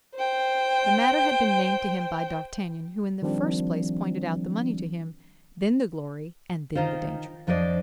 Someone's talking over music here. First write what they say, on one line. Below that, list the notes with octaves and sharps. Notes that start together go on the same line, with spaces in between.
The matter had been named to him by d'Artagnan, who in the first place pointed out the money to him, then the glory, and then the danger.
C5 G5
D#3 F3 G3 C4 D4
D#3 D#4 F4 C5
F2 F3 D4 C5 D5 D#5